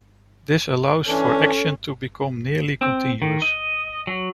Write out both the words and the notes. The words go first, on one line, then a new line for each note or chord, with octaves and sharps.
This allows for action to become nearly continuous.
E3 C#4 D4 A4
C4
D#3
D#5
F#3